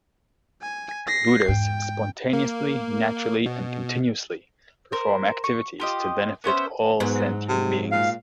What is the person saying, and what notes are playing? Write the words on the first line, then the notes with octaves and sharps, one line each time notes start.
Buddhas spontaneously, naturally and continuously perform activities to benefit all sentient beings.
G#5
A#6 C7
E2 G#2 G5
A#3
B2
A#4 C5
C#6
F4 G4 D#5
B3 C#4 C5 E5
G#2 F#3 B3
C3 G#3
A#2 F5